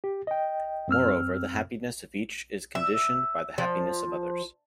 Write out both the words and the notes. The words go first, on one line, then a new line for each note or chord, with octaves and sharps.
Moreover, the happiness of each is conditioned by the happiness of others.
G4
D#5 G5
F#2 C4 E6 F6
E5
F3